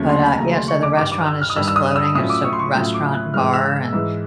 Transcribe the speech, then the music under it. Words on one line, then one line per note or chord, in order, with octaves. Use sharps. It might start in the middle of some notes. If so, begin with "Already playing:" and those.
But uh, yeah, so the restaurant is just floating, it's a restaurant and bar, and
Already playing: D#2 C#3 F#3 A3 C#4
C6
B5
A5
D#2 C#3 F#3 A3 C#4 A#5
C6
C#6
D6
G2 D#3 G3 D6
D6
F6
E6
F6
D#6
G2 D#3 G3 E6
E6
D#6
E6
A2 F#3 A3 C#4 F4 D#6
D6
C#6
C6
C#6
A2 F#3 A3 C#4 F4
D6
F#6
G#2 E3 G#3 F6
E6
G#2 E3 G#3